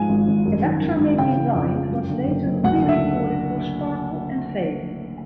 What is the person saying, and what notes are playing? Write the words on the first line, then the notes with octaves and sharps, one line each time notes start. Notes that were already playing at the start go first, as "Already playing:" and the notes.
"Electra Made Me Blind" was later re-recorded for "Sparkle and Fade".
Already playing: G#2 F3 G#3 G#5
G#1
G#1
F#2
D#3
G#1
G#1
C#3 G5
E3
F2
G#3
F#2
D3
F#1
F#1
D2 F#5
D3
E5